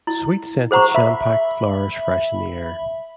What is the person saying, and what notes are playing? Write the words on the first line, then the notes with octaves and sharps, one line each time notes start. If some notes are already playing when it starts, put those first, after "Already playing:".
Sweet scented champak flowers freshen the air.
E4
G#4 C5 F#5 A#5 C#6
E5 B5